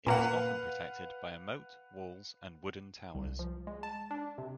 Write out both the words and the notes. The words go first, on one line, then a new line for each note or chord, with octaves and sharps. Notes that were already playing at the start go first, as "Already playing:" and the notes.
It was often protected by a moat, walls, and wooden towers.
A#2 A#3 B4 F5 F#5
C2
F3
G#3
A5
D4
C3